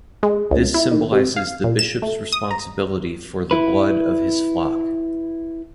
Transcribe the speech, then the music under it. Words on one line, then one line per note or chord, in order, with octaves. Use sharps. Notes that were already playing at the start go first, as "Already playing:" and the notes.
This symbolises the bishop's responsibility for the blood of his flock.
G#3
C#2
E4
D#3
C3
F5
A#2
E7
A3
D#6
A#5
E4 B4